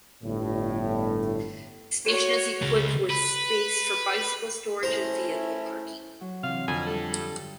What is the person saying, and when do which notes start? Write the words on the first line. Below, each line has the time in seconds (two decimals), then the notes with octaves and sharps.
The station is equipped with space for bicycle storage and vehicle parking.
0.23 G1 A2
2.05 F#4 C#5
2.62 C#3 G#3
3.10 B4
4.83 A3 C#4 E4 C5 A#5
6.21 F#3
6.43 C3 E3 F5
6.68 F2 D3 G#5
6.87 G3 A4
7.17 G2